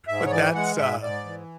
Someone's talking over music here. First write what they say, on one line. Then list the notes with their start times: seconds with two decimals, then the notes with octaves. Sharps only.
but that's, uh
0.08 G#2 E5
0.26 C#5
0.31 E3 D5
0.55 G#3 F#5
0.78 G#2 E5
1.02 G#2 D5
1.25 E3